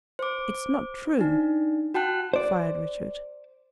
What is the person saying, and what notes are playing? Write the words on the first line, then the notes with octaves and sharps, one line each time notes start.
"It's not true!" fired Richard.
C5 D6
D4 D#4
F#4 G5 A5 F#6
C5 D5